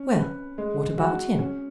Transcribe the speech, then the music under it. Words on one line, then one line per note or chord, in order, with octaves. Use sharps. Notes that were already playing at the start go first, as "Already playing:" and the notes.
"Well, what about him?"
Already playing: C#4
B4
G#3
F#4
C#4